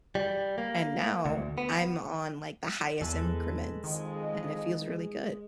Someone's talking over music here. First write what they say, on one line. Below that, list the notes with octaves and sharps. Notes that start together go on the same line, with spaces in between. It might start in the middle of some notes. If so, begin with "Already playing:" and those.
and now I'm on, like, the highest increments, and it feels really good.
G3
A#3
D2
B3
E2 G#3 A4 B4
F2 D#3 G#3 G#4 D#5